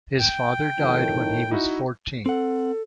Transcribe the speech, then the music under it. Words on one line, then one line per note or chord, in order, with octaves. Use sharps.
His father died when he was fourteen.
G5
F2 A2 D#3
D#4 E4 F#4
C4 A4 F#5